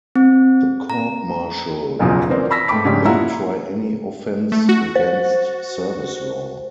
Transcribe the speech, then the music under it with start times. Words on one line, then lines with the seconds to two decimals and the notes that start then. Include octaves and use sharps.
The Court Martial may try any offence against service law.
0.16 C4
0.90 A#5
1.99 F#1 B1 E2 C#3 F3 F#3
2.29 E3 C4 A#4 C5 D5
2.51 B5 E6 A#6 B6
2.68 G#2 A3 G5 B5 D6 B6
2.84 G#2 C#3 C#4 D4 G4 B6
3.05 E4 F4 F#5 A#5 E6
4.52 A3
4.69 F#4
4.96 C5